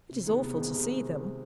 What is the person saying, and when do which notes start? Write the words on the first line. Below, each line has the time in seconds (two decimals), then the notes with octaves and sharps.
It is awful to see them.'
0.10 C3
0.26 D#3 G#3 B3
0.42 C3
0.58 D#3 G#3 B3
0.74 C3